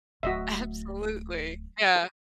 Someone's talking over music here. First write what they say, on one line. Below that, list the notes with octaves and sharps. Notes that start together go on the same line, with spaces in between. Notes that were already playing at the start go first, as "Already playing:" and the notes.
Absolutely, yeah.
D1 A3 F#4 D#5 E5